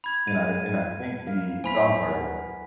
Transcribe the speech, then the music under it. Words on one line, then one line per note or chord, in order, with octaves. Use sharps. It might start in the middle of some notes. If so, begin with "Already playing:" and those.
And I and I think the Oh, I'm sorry, go ahead.
B5 G#6
G3 G#3 D#7
F#3 A#4 F5
B3 E4 C5 G#5 B5 B6
A#4 B4 F#5